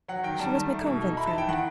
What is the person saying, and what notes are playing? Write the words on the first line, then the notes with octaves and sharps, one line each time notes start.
"She was my convent friend."
F#3 F#5
D#3 G5
G3 A5
D#3
A3
B2
D#4
E4 B5
A5
E3 G5
D#3 F#5